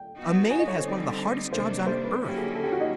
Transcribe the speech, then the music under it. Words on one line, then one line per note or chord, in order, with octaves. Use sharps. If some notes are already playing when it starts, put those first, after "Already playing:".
A maid has one of the hardest jobs on earth.
Already playing: G5
F#3 B3 D#4 F#4
G#5
D#5
C#5
C5
D3 G3 C4 D#4
C3 D#3 G3 A#3 D4 C5
C5
B4
D3 F#3 A#3 C#4 E4
G4
G#4
A4
G4
F#4
D#4